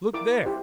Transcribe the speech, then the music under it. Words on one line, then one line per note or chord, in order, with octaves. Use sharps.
"Look there!"
E4 A#4 D6
E4 G4 C5